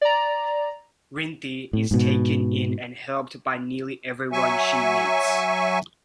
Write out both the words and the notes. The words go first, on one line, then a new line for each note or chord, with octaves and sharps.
Rinthy is taken in and helped by nearly everyone she meets.
D5 A#5
A2
G#2 B2
F#3 E5 G#5 C#6